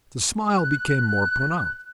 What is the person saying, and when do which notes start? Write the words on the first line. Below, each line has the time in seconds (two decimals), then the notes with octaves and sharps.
The smile became more pronounced.
0.55 F#6